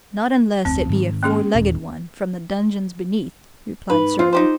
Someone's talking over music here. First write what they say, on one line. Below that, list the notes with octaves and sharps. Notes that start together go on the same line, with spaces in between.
"Not unless it be a four-legged one from the dungeons beneath," replied Surrey.
F1 D2 C4
G#2 D#3
A#3 C#4 G#4
E1 D#2 A#2
G#2 B4
C4 F4
D#4 G4 C5